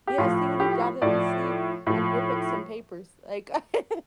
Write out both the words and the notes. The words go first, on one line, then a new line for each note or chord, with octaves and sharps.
Yeah, see what he got up his sleeve. I'd rip up some papers, like, if
G4
A2 F3 F4
G4
A2 F3 D5
A2 F3